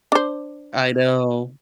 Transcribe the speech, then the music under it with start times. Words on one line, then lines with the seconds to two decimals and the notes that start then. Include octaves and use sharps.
I know.
0.12 D4 C5